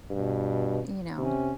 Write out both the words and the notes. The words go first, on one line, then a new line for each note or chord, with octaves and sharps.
you know
G2 B2
C3 C#4